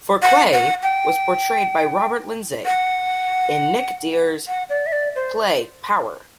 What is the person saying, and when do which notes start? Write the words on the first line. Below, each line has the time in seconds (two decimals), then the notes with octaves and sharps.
Fouquet was portrayed by Robert Lindsay in Nick Dear's play "Power".
0.22 F#5
0.53 F#5
0.83 G5
2.65 F#5
4.48 F#5
4.70 D5
4.86 E5
4.92 D5
5.16 C5